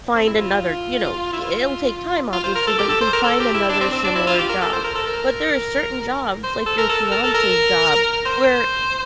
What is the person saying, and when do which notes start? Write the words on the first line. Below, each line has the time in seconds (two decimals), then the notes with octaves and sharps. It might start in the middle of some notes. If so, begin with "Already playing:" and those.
find another you know, i i it'll take time, obviously, but you can find another similar job. But there are certain jobs, like your fiancé's job where,
0.16 C4
0.27 E4
0.38 F4
1.33 E4
1.41 F4
2.33 F4
2.44 C5
2.55 A#4
2.67 A4
2.79 G4
2.89 A4
3.01 C5
3.13 A#4
3.24 A4
3.40 G4
3.54 E4
3.69 D4
3.81 C4
3.93 C4
4.04 D4
4.15 E4
4.27 F4
4.39 G4
4.49 A#4
4.61 A4
4.73 C5
4.84 A#4
4.95 A4
5.06 A#4
6.44 C5
6.66 A4
6.78 A#4
6.89 A4
7.12 A#4
7.24 A4
7.35 A#4
8.26 C5